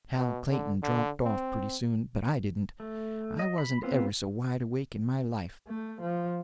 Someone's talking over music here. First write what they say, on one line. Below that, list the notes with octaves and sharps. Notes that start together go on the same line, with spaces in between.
Hal Clayton dropped off pretty soon, but I didn't; I wasn't ever so wide awake in my life.
B2
D3
D3
C4
A3
D#5
B5
B3 C4 F4 C5
A3
F3